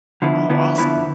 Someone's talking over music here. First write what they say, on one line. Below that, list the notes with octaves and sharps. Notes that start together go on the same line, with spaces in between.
Oh, awesome.
D3 F3 B3 E4 B4
D3 F3 B3 E4 B4
D3 F3 B3 E4 B4